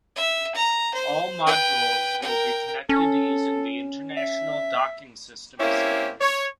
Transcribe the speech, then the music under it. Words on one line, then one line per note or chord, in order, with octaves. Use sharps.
All modules will be connected using the International Docking System Standard.
E5
A#5
C5
B4 G5
A#4 G5
C#4 A4
E5
A#3 C4 C#4 E4 G4 C#5
C#5